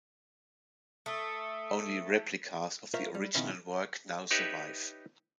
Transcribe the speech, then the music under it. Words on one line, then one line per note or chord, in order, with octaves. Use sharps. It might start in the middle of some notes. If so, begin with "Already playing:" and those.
Only replicas of the original work now survive.
A3 D#6 E6
F4 A#4 C5 C#5 E5 F5
G3
B2 D#3 F3 C4 C#4 E4
D#4 G4 B4 C#5 E5